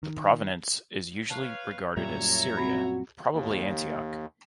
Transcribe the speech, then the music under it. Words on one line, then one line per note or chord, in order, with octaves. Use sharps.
The provenance is usually regarded as Syria, probably Antioch.
D#3
B4 C#5 F5 A5
F#2 A#2 G3 C#5 E5 A#5
C4 F#4 B5
D#2